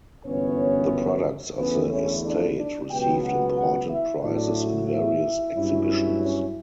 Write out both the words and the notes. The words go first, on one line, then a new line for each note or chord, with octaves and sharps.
The products of the estate received important prizes in various exhibitions.
G1 F#2 E3 B3 C#4 C#5
E2 D3 A3 B3 C#4 E4 B4
C#4 C#5
D4 D5
D4 D5
C#2 B2 F#3 B3 G4 G5
F#4 F#5
F#4 F#5
E4 E5
A2 F#3 A3 D4 E4 D5
E4 E5
G2 F#3 C#4 E4
C#4 C#5